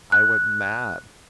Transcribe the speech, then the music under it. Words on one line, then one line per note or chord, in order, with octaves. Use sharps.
I went mad!
F#6